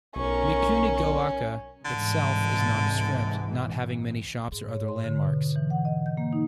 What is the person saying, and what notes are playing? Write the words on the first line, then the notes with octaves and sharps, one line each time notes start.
Mikunigoaka itself is nondescript, not having many shops or other landmarks.
B1 C#4 A#4 C#6
C2 G#2 D3 E3
G#2
C#5
C6
D3
B2
E3
F#5
D#5
G6
A#3
D#4